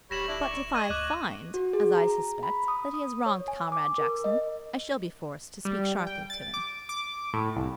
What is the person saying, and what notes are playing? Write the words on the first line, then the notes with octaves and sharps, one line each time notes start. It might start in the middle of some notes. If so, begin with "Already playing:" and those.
But if I find, as I suspect, that he has wronged Comrade Jackson, I shall be forced to speak sharply to him.'
D1 G3 C#5 B5 A#6 E7 F#7
D4 E4
D5 C#6
D#5 C#6 G#6 D#7
D2 D6 F#6 F#7
F#4
G#4
A#5
B5
D#6
D#6
C#5
G#5
D6
A#4
D#5
G3
G5
A6
D6
D6
A2
C2